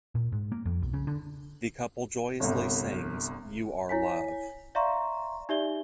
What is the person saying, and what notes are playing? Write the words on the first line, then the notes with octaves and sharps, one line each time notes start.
The couple joyously sings "You Are Love".
A#2
G#2
A#3
F2
B1
C#3
D3
G1 C2
E4 C#5 G#5 B6
D5 E5 F5 A#5 C6 C#6
D#4 G4 D5 E5 G7